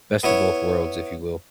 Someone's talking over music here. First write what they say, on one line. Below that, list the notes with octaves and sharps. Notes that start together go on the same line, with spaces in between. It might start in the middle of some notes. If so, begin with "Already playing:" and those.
Best of both worlds, if you will.
B3 E4 C#5